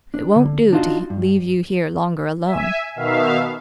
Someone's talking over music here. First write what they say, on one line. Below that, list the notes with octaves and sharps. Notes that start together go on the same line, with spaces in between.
It won't do to leave you here longer alone.
D4
D3
D4 D#4 F4 F#4
G2
E5 G#5
B2 D#3 E5 F5